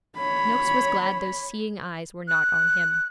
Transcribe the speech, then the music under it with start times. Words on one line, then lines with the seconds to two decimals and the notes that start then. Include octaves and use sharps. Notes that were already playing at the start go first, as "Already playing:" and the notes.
Noakes was glad those seeing eyes were not on him.
0.16 C#5 B5
2.28 F#6